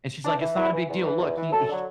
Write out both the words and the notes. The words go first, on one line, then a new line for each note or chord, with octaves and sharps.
And she's, like, "It's not a big deal. Look. He he
E2 D4
E3
E2 E4
E3
E2
E3
E2
E3
F#2 A4
D3 F#3